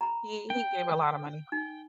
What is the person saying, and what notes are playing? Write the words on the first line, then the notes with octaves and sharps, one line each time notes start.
he he gave a lotta money.
A#5 B5
G5
D#4